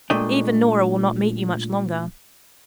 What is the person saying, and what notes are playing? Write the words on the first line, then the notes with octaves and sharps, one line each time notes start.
Even Nora will not meet you much longer.
A#2 G#3 A3 D4 D#5 G5